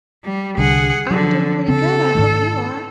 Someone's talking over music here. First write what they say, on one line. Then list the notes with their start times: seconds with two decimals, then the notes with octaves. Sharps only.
I'm doing pretty good, I hope you are.
0.24 G3
0.58 C2 D3 G#4 F#5
1.11 D3 F3 F#3
1.68 C#3 C4 A4
2.15 G#2 D#3 A3